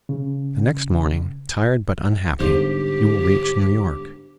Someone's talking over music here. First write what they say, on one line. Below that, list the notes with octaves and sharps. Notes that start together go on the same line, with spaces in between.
The next morning, tired but unhappy, you will reach New York.
C#3
G1 G#2 G4 C5